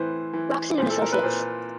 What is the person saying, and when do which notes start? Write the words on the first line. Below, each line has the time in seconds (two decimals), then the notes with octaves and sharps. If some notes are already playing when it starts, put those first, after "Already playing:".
Locsin and Associates.
Already playing: A2 E3 B4 C5
0.33 E3
0.78 A#2 C5
0.90 A4
1.01 A#4
1.12 B4
1.23 A#2 C5